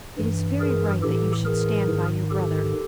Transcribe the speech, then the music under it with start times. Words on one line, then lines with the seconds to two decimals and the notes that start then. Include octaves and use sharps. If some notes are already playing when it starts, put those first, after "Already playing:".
"It is very right that you should stand by your brother."
0.18 G2 E3
0.60 G#4 A#4
1.02 A2 E3 G4 A4
1.45 G#4 A#4
1.88 G#2 D#3
2.30 G4 A4